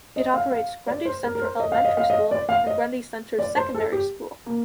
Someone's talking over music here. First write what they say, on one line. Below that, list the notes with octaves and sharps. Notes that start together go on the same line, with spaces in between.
It operates Grundy Center Elementary School and Grundy Center Secondary School.
D#5
F5
F5
D5
C5
A#4
A#4
C5
D#5
F5
D#5
F5
D#5
D5
F5
D#5
D5
C5
A4
G4
A#3